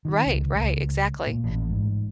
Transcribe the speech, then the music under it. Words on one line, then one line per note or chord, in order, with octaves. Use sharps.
Right, right, exactly.
D#3
C#2
C#2
A#2
A1
G#2